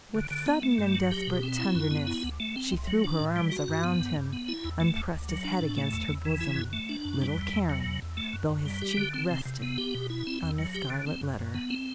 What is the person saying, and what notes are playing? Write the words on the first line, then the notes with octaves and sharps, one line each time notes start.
With sudden and desperate tenderness she threw her arms around him, and pressed his head against her bosom, little caring though his cheek rested on the scarlet letter.
D3
D3
B3
A3
G2
F#3
G4
B2
C4
E4
F#2
B3
E4
D2
A3
C4
C2
F#3
D4
A2
G3
F#4
G2
B3
G2
G2
B3
E4
E2
A3
D2
D2
F#3
D4
A2
A3
E2
E2
E3
E4
F#2
A3
D4
F#2
G3
E2
E2
F#3
E2
E2
A3
F#2
F#2
G3
G4
D3
C4
C3
C3
B3
G4
B2
E4
C4
E2
F#3
G4
D3
C4
F#2
F#2
B3
C4